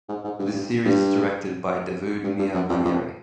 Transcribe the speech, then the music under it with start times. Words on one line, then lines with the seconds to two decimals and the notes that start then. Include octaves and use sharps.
The series is directed by Davood Mir Bagheri.
0.09 G#2
0.24 G#2
0.39 G2
0.54 G2
0.85 G2
2.24 G2
2.39 G2
2.54 F#2
2.70 F2
2.85 F2